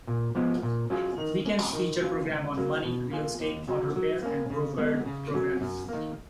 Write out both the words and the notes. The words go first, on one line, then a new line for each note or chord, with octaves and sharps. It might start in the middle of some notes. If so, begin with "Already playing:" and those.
Weekends feature programs on money, real estate, auto repair and brokered programming.
A#2
F3 G#3 B3
A#2
F#3 C#4 F4 G#4
D#3
G#3 C#4
D#3
F#3 C#4 F4
C#2
C#3 F#3 A#3
B2
A#3 F4 G#4
D#2
C#3 F#3 C#4 F#4
F#3
A#3 C#4
C#3
G#3 B3
C#3
F#3 C#4
F#2
D#3 A#3